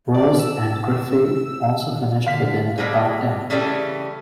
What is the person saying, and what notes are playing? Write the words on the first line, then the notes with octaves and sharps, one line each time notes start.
Rose and Griffey also finished within the top ten.
D5
E6
D3 F5 B6
B2 G3 G#3 A#3 E4
C#3 E3 G3 A3 C4 C#4